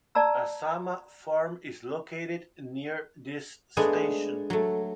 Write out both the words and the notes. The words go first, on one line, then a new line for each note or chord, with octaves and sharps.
Asama Farm is located near this station.
D5 A5 A#5 E6
G#3 A3 B3 D4 G#4 G#5
F#3 A3